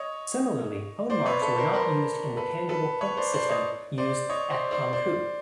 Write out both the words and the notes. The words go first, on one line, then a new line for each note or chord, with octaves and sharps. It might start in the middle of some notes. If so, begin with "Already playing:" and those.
Similarly, tone marks were not used in the tangible point system used at Hankou.
Already playing: C#5 D#5
C5 D5
B4 C#5
A4 B4
A#4 C5
A#4 C5
A4 B4
A4 B4
B4 C#5
C5 D5
C5 D5
C#5 D#5
C5 D5
C#5 D#5
C5 D5
C5 D5
C5 D5